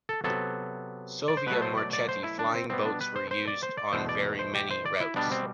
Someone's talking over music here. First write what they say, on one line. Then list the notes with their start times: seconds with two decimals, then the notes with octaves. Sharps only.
Savoia Marchetti flying boats were used on very many routes.
0.09 A4
0.24 C3 F#3 B3 A4
1.28 D5
1.37 C5
1.47 B2 F#3 A3 B4
1.62 C5
1.77 D5
1.93 D5
2.09 C5
2.24 E4
2.39 D4
2.54 C4
2.70 B2 G3 B3 C4
2.85 D4
3.01 B4
3.16 C5
3.31 C5
3.47 D5
3.63 C5
3.77 D5
3.93 E2 B2 A3 C5
4.09 D5
4.39 C5
4.55 G4
4.71 C5
4.86 D5
5.00 E4
5.16 B2 G3 B3 D4
5.31 C4